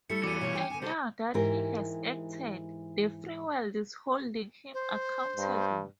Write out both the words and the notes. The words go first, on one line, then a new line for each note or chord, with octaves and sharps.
And now that he has acted the free world is holding him accountable.
G3 A3 E4 A4 C#7
E2 E3 G3 F#4 D6 D#7
B2 F4 C#5
G5
D3 D4 G#5
C2 G4 A4 C5
G#2 E3 G4 A#4
C5
G2